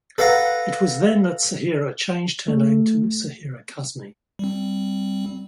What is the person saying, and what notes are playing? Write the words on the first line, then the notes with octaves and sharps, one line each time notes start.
It was then that Sahira changed her name to Sahira Kazmi.
A4 B4 F5 F#5 A#5
A3
G3 C4